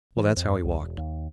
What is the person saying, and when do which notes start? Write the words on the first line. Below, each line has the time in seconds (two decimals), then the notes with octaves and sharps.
Well, that's how he walked.
0.17 E3
0.37 F2
0.65 C2
0.79 E1
0.97 D#2